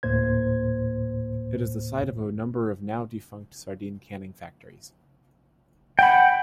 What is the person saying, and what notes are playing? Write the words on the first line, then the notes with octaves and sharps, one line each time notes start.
It is the site of a number of now-defunct sardine canning factories.
D2 A2 A#3 C5 G#6
F#5 G5 B5